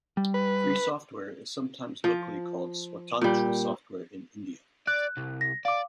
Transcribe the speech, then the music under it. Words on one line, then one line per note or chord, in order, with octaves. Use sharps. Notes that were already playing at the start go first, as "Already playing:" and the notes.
Free software is sometimes locally called swatantra software in India.
G3
B4
F3
A#2 G3
D5 F#6
C2
A#6
D5 F5 D6